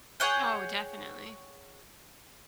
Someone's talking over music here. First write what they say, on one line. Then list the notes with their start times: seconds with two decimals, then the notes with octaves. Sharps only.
Oh, definitely.
0.20 G#4 C#5 F#5 G5